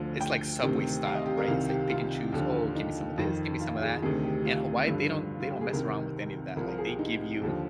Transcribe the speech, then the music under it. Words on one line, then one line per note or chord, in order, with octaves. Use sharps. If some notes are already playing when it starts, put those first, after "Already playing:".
it's like Subway style, right? It's like pick and choose, "Oh, give me some of this, give me some of that." In Hawaii, they don't they don't mess around with any of that, like, they give you
Already playing: D2 D3 F3
G5
D2 C3 D#3
F5
D#5
G4
A#4
C2 C3 D#3 F5
G4
F4
D#2 D3 F3
D#4
F2 D#3
F4
G#4
D2 C3 D#3 G#4
G4
F4
G2 D3 F3
F4
G4
G#4
C2 C3 D#3 A#4
C2 C3 F3 A#4
A#4
G#4
G4
D#4
D#2 D3 F3